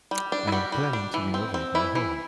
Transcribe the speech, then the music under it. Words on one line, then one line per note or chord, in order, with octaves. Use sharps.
I am planning to renovate my home.
G3
D4
E4
G3 F#4
G3
D4
E3
C4
C4
E3 E4
E3